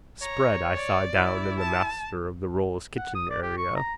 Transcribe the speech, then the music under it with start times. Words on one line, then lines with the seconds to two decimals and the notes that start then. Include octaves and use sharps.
Spread I saw down in the Master of the Rolls' kitchen area.
0.22 C#5 A#5
0.75 D5
1.16 E4
1.59 A5
2.97 F#5
3.15 D#6
3.30 D5
3.42 G4
3.57 C#6
3.76 A#5